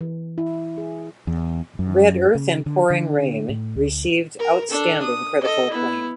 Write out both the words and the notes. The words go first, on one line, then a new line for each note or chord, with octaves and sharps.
"Red Earth and Pouring Rain" received outstanding critical acclaim.
E3
E4
G#4
E2
F#2
C#3
D3
D3
A2
D2
A#4
D4 A4
D#6
A4 D#5
B3 E4